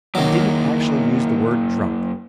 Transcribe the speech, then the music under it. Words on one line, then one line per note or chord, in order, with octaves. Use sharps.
He didn't actually use the word 'drunk.'...
F#2 D#3 F#3 A#3